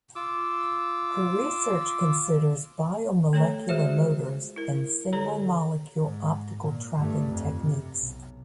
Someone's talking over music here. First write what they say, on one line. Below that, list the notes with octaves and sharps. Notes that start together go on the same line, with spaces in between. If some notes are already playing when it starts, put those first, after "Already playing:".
Her research considers biomolecular motors and single molecule optical trapping techniques.
F4 D6 E6
A3 A4 C#5 G5 A#5
G#3 F4 F#4 G#4 C5 E5
E4 A#4
D3 G4 A4 C#5 A#5
G#2
A#2
G2 A3
F2
C3
B1